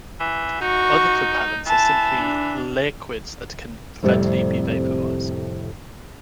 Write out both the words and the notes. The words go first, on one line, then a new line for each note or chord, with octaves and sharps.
Other propellants are simply liquids that can readily be vaporized.
E3
D#4 F#4 C#6
E3 A5
D4
F2 A2 C3 G3 C4 D5